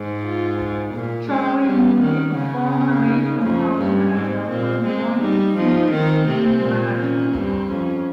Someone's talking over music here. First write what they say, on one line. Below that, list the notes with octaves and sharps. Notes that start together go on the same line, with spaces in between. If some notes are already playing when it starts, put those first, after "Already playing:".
Charlie Moody, a former Leyton House manager, was appointed Simtek's team manager.
Already playing: G#2
F4
A#2
G#3 C#4
G3 C#4
D#3 C#4
C#3 C#4
D#4
F2 C#4
G2
G#2 C4
A#2 C4
G#3 C4
G3 D#4
F3 D#4
D#3 C4
C3
A#2
C#4
G2 C4
F2 C#4